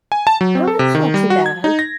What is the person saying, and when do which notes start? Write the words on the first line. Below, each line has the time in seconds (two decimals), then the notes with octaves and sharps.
Oh, that's not too bad.
0.12 G#5
0.27 A5
0.41 F#3
0.55 C4
0.68 A4
0.79 C3
0.95 D#3
1.14 G3
1.30 F#4
1.46 G#6
1.64 D#4
1.79 A#6